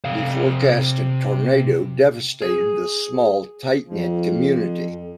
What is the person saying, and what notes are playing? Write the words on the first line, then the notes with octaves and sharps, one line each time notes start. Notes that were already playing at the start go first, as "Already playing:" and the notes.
The forecasted tornado devastated the small tight-knit community.
C3 F5
G#4
F2